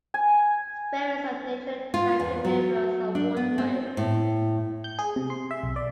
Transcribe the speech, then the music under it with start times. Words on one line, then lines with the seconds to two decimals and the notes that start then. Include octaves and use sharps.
Spirits of nature tied to rivers and waterways.
0.14 G#5
1.94 F4
2.20 E2
2.45 F#3
3.15 D4
3.37 B3
3.58 C4
3.97 A2
4.84 G6
4.99 G#4
5.16 C3
5.30 C6
5.51 E5
5.63 B1
5.76 D5